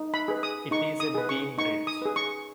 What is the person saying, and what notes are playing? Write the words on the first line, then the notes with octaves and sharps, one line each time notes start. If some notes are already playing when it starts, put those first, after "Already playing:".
It is a beam bridge.
Already playing: D#4
B5
G#4 B4
D#6
D#4 C#6
D#6
G#4 B4
C#6
D#4 C#6
D#6
G#4 B4
C#6